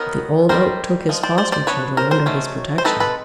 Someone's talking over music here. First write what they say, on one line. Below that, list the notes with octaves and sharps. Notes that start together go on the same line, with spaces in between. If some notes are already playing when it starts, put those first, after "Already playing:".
But the Old Oak took his foster-children under his protection.
Already playing: D#3 F#3 B3 D#4 A#4
D#3 G3 A#3 A#4 C5
F3 G#3
C5 D5
C5 D5
C5 D5
F#3 B3 D4 B4 C#5
A#4 C5
A#4 C5
D#3 F#3 A3 C#4
C5
G#3 C4 D#4 A4 B4
A4 B4